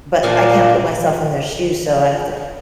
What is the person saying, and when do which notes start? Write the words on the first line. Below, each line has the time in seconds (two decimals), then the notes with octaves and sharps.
But I can't put myself in their shoes, so I have to
0.23 A#2 F3 A#3 D4